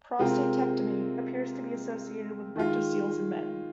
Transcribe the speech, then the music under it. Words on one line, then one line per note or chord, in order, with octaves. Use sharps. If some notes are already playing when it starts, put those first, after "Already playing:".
Prostatectomy appears to be associated with rectoceles in men.
C3 G#3 C4 F4 A#4
D#3 G#3 F4